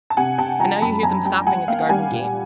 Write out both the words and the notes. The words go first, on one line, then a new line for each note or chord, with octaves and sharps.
And now you hear them stopping at the garden-gate!
A5
C3 F#5 G#5
C3 G5 A5
F3 G#5 A#5
F#2 A5 B5
F#2 G#5 A#5
G3 G5 A5
G3 F#5 G#5
A#3 F5 G5
G3 F#5 G#5
A#2